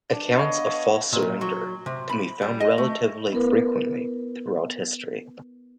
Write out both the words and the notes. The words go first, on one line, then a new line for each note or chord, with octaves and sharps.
Accounts of false surrender can be found relatively frequently throughout history.
D4
B3 C#5 D#5 F5
A#2
F#3
C3
B5
G3
D#5
A3
B3 E4 A#4 B4